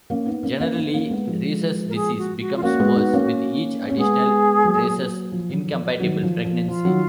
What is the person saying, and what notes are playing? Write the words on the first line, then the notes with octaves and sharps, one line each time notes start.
Generally rhesus disease becomes worse with each additional rhesus incompatible pregnancy.
A#3 C#4
B3 D#4
A#3 C#4
A#3 C#4
B3 D#4
A#3 C#4
G#3 B3
F3 G#3
A#4
G#4
F#4
F#4
F4
A#3 C#4 F#4
G#3 B3
B3 D#4
A#3 C#4
C#4
G#3 B3 G#4
F#3 A#3
F3
D#3 F#3
F3
D#3 F#3
F3
F3
F3 F4
D#3 F#3